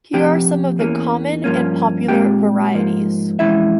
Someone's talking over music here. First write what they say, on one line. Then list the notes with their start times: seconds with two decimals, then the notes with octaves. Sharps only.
Here are some of the common and popular varieties.
0.13 C3 F3 C4 G4 G5
0.79 E2 E3 A#3 C#4
1.44 G2 F3 A#3 C#4
2.08 A#2 G#3 C4 G4 G5
2.74 G#2 F3 A#3
3.39 F2 E3 G#3 C#4 E4 E5